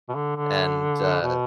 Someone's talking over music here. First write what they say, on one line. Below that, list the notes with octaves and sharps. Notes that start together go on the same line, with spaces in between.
And, uh
B2
D3
D3
B2